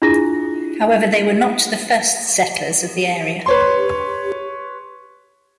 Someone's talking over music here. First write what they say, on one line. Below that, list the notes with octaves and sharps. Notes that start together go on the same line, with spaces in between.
However they were not the first settlers of the area.
D4 E4 F4 G#4 A#6
B4 C#5 C6